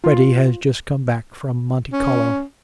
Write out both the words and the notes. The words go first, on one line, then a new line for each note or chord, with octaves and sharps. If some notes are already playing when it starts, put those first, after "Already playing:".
Freddy has just come back from Monte Carlo.
F4
C#4